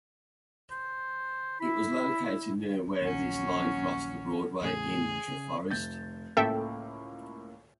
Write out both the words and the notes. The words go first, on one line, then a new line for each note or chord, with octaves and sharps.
It was located near where this line crossed the 'Broadway' in Treforest.
C5
E4 B5
A#1 D#2 F#3 C#4
E2 A2 C#3 G#4
C#3
F1 G6 A6
C#2 A2 A#3 A4 E5 G5